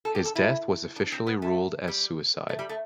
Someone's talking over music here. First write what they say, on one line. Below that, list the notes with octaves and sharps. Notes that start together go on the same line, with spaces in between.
His death was officially ruled as suicide.
A4
G4
A4
E4
D4
C4
B3
A3
G3
A3
G3
A3